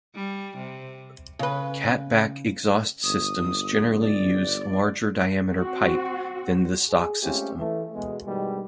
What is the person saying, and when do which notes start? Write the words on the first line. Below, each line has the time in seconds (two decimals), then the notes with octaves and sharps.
Cat-back exhaust systems generally use larger diameter pipe than the stock system.
0.15 G3
0.57 C3
1.39 C#3 B4
3.04 G1 D#6
3.99 D5
5.51 C4 F#4
6.90 G#4
7.22 G#3 A3 C4 C#4 F4 G4
7.59 E3 A3
7.94 B2 G#3
8.26 G2 B2 D#3 G3 G#3